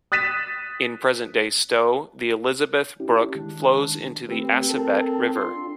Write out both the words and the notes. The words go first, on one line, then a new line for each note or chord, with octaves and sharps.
In present-day Stow, the Elizabeth Brook flows into the Assabet River.
D#6 F#6 A6 B6 D#7 E7
C#4 E4 G4
D#3 G#3 D4
A3 C4 G4 B4
A4 A#4 A5
D4 F4 C6